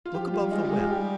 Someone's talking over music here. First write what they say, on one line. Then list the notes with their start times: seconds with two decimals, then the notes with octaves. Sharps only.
Look above the web.
0.06 F4
0.14 F3 G4
0.33 G3 F4
0.52 G#3 D#4
0.60 G3
0.65 G#3 F4
0.77 G4
0.90 G3 G4